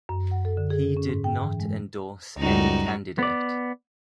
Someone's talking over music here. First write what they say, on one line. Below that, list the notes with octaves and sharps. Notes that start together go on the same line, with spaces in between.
He did not endorse any candidate.
F#2
F#5
A4
D3
G#4
C#4
G#2
G5
E3
G#3
C#2 F#2 G3 D#4 F#4
B3 D5